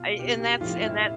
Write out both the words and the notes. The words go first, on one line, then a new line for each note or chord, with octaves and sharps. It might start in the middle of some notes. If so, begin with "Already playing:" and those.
I and that's and that
Already playing: B2 F4
B2 G4
G4
A2 F3 F4
E4